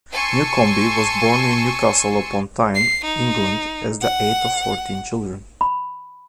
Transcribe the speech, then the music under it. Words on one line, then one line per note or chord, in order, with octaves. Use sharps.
Newcombe was born in Newcastle-upon-Tyne, England, as the eighth of fourteen children.
G#5 A5 C6 C#6 E6
C7
D#4
F#5
B5